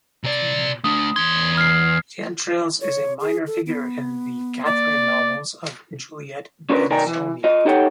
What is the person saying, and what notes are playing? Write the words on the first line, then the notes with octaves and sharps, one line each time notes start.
Xaintrailles is a minor figure in the "Catherine" novels of Juliette Benzoni.
C3 D5
A3 D4 D#6
E2 C6 G#6
F6 C7
C#5
G#4
A4
B3
A#3 D5
C#4 D4 F4 A#4 B4
D#3 A#4 D5 G5 G#5 A#5
E3
F4 D#5
D#4 G4 A4 C#5 F#5 G5